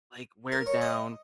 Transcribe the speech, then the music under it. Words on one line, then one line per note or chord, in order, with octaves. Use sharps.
like wear down,
A#4
C#5
D#5